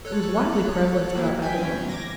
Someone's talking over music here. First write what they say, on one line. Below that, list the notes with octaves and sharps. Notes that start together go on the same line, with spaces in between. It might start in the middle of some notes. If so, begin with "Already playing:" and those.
It was widely prevalent throughout Babylonia.
A4 C#5 F#6
F#3 A#3 E4
E3 G5 G#5 B6
F#3 C#4
D6 G#6 A#6